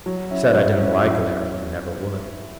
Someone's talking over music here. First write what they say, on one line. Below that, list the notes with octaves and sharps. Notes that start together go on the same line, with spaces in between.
I said I did n't like Larry, and never would.
F#3
C#4 E4
F#3
C#4 E4
F#3